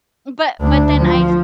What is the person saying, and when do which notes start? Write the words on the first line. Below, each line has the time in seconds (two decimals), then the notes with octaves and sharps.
but but then I
0.60 D2 D4
0.97 F3